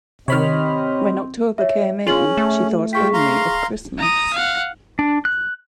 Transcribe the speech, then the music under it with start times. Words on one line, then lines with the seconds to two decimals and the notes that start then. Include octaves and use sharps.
When October came in, she thought only of Christmas.
0.28 C3 D#3 C4 G4 C#5 D#5 B5 F6
1.58 C#5 E5
2.07 C#4 F4 G#4 F#7
2.37 A3
2.93 F4 G#4 G5 C#6 B6
3.14 F5 A#5 C6
3.98 A#5 D#6
4.34 F5 F#5
4.99 D4
5.25 F#6